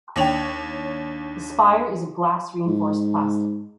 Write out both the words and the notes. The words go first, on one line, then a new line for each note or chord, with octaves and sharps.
The spire is of glass reinforced plastic.
D#2 D4 C#5 F7
G#2